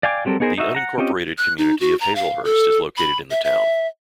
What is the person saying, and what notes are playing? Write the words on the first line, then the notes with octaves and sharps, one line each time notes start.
The unincorporated community of Hazelhurst is located in the town.
D5 F5 G5 G#5 D6
F#3 G3 C4 A4 A#4
B3 D#4 G#4 A#4 C5
D#4 F#4 E5
F#5 A#5
C4 C#4 F4 G4 D#5
F#6
D#4
F#4
A#5
F5
A4
B5
E5
E5